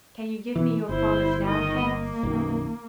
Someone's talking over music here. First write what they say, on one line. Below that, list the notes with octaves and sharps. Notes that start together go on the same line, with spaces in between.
"Can you give me your promise now, Cass?"
B2 E3
G1 E4 C5
D#3 D#5
A#3
B1 F#2 D#3